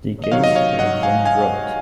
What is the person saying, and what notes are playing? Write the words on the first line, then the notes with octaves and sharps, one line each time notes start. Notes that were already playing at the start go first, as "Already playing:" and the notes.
The case was then dropped.
D#5
C3 D#3 F#3 C#5 F5
D#5
C#5 F5
D#5 F#5
F5 G#5
F5 G#5